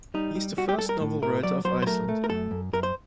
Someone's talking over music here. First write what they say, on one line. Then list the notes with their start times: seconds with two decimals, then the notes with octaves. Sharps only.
He is the first novel writer of Iceland.
0.14 G3 D#4
0.35 G3
0.57 G3 F#4
0.69 G4
0.79 G3 A4
0.89 A#4
1.00 A2
1.22 A2 A#4
1.43 F#3 D5
1.65 F#3 C5
1.82 C5
1.87 A3 A#4
2.09 A3
2.24 A#4
2.30 F#2 A4
2.51 F#2
2.73 F#2 A#4
2.83 C5